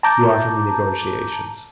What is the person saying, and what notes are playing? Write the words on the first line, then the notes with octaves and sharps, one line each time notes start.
You offer me negotiations!
A5 A#5 D6 G6